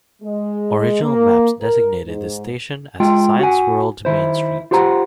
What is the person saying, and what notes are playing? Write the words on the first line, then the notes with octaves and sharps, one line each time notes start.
Original maps designated the station as "Science World-Main Street".
G#3
A#3
A#4
G#2
G#3 F4 G5
F#4 F#5 G#5
D#3 E4 C5
F4 G4 C5 F#5 A#5